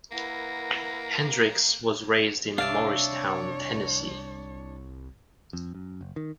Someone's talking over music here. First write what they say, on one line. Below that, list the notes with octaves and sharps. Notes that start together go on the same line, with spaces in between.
Hendrix was raised in Morristown, Tennessee.
A#3 E4 A#4 B4 F#5 A#6
C2 D4 C#5 D5 E5 F5
F2
F#2
F#1
D#3